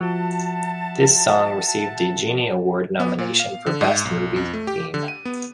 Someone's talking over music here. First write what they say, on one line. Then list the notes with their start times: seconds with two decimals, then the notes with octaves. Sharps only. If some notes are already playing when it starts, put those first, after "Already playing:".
This song received a Genie Award nomination for Best Movie Theme.
0.01 F3 F#4 E5 F#5 A5
3.00 B3
3.18 A#2
3.40 F5
3.66 D3
3.81 G#2
4.05 B1
4.36 F2
4.54 A3
4.67 G4
4.94 D3
5.08 D#7
5.25 B3